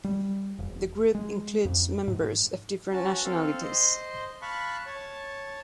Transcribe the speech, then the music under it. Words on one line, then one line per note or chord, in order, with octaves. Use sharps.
The group includes members of different nationalities.
G3
E1
G#3
F2
G#2
C#4 F#4 A5
C4 A4 F5
C5 D#5 C6
F5 A5 B5 C#6 F#6
C#5 A5